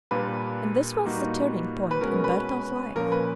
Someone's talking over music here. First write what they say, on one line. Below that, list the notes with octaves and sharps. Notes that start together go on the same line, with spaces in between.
And this was the turning-point in Bertel's life.
A#2 G3 A#3 D4 F4 B4
A#2 G3 A#3 D#4 F#4
B4
B2 G#3 C#4 F#4 A#4
B4
A#2 F3 A#3 C#4 A#4
B4